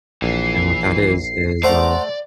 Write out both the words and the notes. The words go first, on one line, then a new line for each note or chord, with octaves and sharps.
and what that is is, uh,
A#1 E3 C7
A3 C5 D5 F#5 A#5